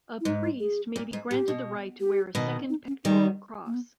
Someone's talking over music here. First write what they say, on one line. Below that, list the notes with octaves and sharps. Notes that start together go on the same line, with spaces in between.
A priest may be granted the right to wear a second pectoral cross.
E4
G#2 D#4
E4
G#4
A#2
G#2
A#2 G4
B2
G4
B2 D#3
D#4
C#4
D#3 G3 D#4
A#3
B3